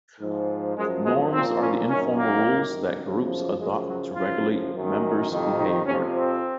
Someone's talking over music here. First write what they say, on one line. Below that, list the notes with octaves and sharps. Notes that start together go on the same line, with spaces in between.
Norms are the informal rules that groups adopt to regulate members' behaviour.
G#2 F3
F#2 F3 G#3
G#3
A#2 F3 C4
C#4
F#2 D#3 C#4
A#3
F#2 D#3
F#2 C#3 F3
F#2 C#3 F3 G#3
F#3
F#2 C#3 F3 F4
F#2 D#3
F2 C3 D#3
D#4
F2 C3 F3 C#4
C4